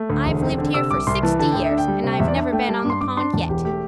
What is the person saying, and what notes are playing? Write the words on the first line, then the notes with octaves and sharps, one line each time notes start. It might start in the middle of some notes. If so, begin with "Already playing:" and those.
"I've lived here for sixty years and I've never been on the pond yet."
Already playing: A3
D2
E1
C4
D3
C3 E6
C2 D6
C2 C6
E3 A5
D3 A5
D2 G5
E5
D4
G5
G3
C3
G5
E2 E5
D5
D4 E5
A3 G5
G3 A5
D6
G2
C6
G2 D6
D4 C6
E2 A5
E1 G4
A3 G4